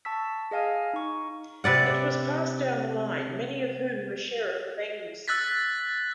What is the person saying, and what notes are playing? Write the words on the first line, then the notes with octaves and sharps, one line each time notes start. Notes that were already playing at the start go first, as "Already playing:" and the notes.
It was passed down the line, many of whom were Sheriff of Anglesey.
A5 C#6 E6 B6
G#4 D#5 F5 G#5 F6
D#4 C#6
C3 B4 D5 F#5
E6 F#6 A6 B6